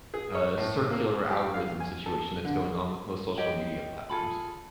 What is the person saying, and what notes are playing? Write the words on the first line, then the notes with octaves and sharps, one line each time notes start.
uh, circular algorithm situation that's going on with most social media platforms.
G#4
C#5
A2
A#3
G4
F5
G#5
A4
D3
G4 C#5 D#5 G5
F4 G#4 A4 B5